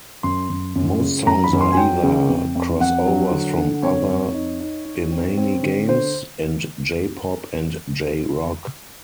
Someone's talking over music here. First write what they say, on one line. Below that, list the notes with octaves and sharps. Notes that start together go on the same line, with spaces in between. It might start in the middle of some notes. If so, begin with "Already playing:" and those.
Most songs are either crossovers from other Bemani games, and J-pop and J-Rock.
F#2 C6
F#2
F#2
C#3
F#2 A#5
B5
F#2
C6
G#5
F#3 G5
C#3
F2
F2
F2 F#5
F#3
D3
D3
F2 C#5
F2
D#4
D#4
D#4
C4
C4
D3
D3 C5